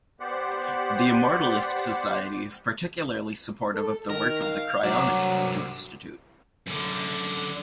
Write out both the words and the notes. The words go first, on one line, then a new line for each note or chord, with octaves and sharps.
The Immortalist Society is particularly supportive of the work of the Cryonics Institute.
B3 G4 C5 D5 F#5
A4
D#3 A#4
F5
C2 F#3 D4
F#2 D3